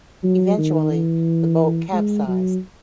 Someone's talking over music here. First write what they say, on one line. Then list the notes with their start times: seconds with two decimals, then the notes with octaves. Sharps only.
Eventually the boat capsized.
0.23 F#3
0.58 D#3
0.91 E3
1.92 G#3
2.27 F#3